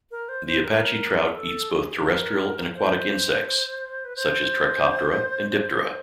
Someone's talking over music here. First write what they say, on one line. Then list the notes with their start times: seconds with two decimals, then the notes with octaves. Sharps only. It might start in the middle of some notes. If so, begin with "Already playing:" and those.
The Apache trout eats both terrestrial and aquatic insects, such as Trichoptera and Diptera.
0.11 A#4
0.29 C5
0.46 C5
0.64 A#4
1.29 G#4
1.35 A4
1.70 G#4
1.96 B4
2.05 A#4
2.76 C5
4.05 B4
4.16 C5